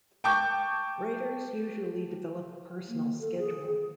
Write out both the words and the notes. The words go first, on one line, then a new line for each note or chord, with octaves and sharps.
Writers usually develop a personal schedule.
G5 A5 C#6 D6 G6
A#3
A4
G#4